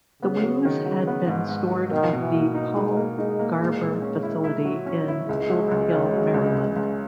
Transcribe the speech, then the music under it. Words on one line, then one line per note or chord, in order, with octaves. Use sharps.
The wings had been stored at the Paul Garber Facility in Silver Hill, Maryland.
C#3 B3
F#3
D#3
F#3
B3
G#2
G#2
F#3
B2 D#3
B2
E3
A#3
D#4
G#3 D#4
A#3
G#3 D#4
A#3
A#2 G#3
A#2
C#4
E4
E4
F#3
C#4
E4
C#2 G#3
F#3
C#2
C#3
F#3
C#2
C#2
C#2